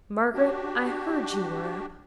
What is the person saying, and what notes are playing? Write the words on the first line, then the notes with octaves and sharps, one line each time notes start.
'Margaret, I heard you were up.
D4 F#4 G4